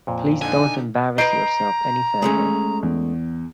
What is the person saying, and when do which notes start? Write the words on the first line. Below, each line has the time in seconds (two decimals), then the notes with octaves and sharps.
Please don't embarrass yourself any further.
0.07 F2 A#2
0.42 D3 D4 D#4 G#5
1.18 B4 D#5 A#5 G6 C7 D7
2.22 G#3 A3 C#4
2.83 E2